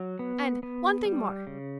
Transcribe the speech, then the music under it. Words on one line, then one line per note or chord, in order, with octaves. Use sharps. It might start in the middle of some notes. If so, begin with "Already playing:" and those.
And--one thing more!
Already playing: F#3
B3
B3
G3
C#3